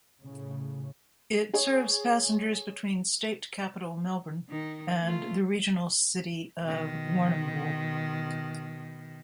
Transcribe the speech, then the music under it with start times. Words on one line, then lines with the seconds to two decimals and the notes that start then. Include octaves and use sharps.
It serves passengers between state capital Melbourne and the regional city of Warrnambool.
0.20 A2 C#3
1.54 G#4 C#5
4.49 D#3 D#4
5.03 A3 F4
6.64 B2 D#3